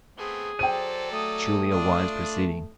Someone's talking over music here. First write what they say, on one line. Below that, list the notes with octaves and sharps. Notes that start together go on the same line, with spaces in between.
Truly a wise proceeding!
A3 B3 C4 G#4
F#3 A4 C5 D5 G5 D#7
A3 D#6
D4 F4 D5